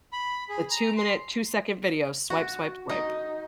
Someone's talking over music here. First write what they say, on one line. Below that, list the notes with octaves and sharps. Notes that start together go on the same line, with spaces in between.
The two-minute, two-second video, swipe, swipe, swipe.
B5
G#4
A#5
C6
F#4
D#4